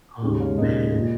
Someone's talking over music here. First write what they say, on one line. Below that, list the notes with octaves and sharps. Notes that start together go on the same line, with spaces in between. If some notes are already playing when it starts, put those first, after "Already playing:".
Oh, man.
D#2 C#3 G#3 G#4
C#5 F5
D#2 C#3 G#3 A#4 D#5
A#2 A#3